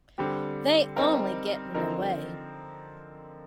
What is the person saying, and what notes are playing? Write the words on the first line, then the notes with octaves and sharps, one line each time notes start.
They only get in the way.
D3 G3 C4 G4
G3 C4 D#4 A#4
D3 F3 C4 D#4 A#4